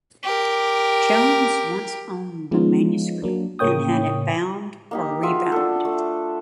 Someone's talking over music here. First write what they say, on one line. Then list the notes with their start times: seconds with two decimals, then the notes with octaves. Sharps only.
Jones once owned the manuscript and had it bound or rebound.
0.23 G4 A#4
2.51 F3 G#3 B3 C#4 D#4 F4
3.22 F#3 A#3 D4
3.59 A2 C#3 A#3 C#5 G5 D#6
4.91 A#3 D#4 G4
5.23 F4 F#4 G#4 E5
5.52 D4 A4
5.85 A3